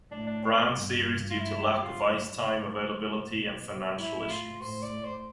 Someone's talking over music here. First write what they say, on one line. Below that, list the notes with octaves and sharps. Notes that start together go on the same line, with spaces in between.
Brown series due to lack of ice time availability and financial issues.
A2 D4
D4
C4
G2
F4
E4
G4
F4
G2
A2
A2
B2
A2 E4
E4
F4
A2 C5
D5
C5